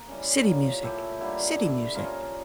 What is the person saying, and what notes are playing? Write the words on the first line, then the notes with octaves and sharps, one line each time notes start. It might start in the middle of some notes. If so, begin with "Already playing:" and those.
City music. City music.
Already playing: A#3
E3 G3 C#4
F3 A#3 C#4
A#2 A3 E4 G4
D3 G3 A#3 E4
A#2 A3 D4
F3 C#4 F4 A#4